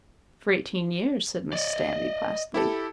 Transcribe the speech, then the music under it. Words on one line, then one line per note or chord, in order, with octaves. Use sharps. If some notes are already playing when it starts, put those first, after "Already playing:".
"For eighteen years," said Mrs. Danby placidly.
D5 D#5
E4 G4 A4